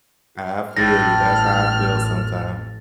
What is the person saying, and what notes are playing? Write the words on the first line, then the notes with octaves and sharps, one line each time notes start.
I feel you, that's how I feel sometimes.
A1 A2 F6 A6 A#6